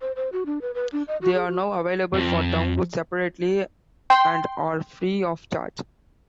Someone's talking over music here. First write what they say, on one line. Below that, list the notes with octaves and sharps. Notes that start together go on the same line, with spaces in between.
They are now available for download separately and are free of charge.
C5
C5
F#4
D4
B4
B4
D4
D#5
F#4
G#4
F#4
F2
G5 C6